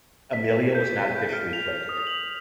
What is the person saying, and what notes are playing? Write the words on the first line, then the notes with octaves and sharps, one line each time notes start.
Amelia was not officially platted.
B6
G6
B6
G6
F6
F7
D#6
F#7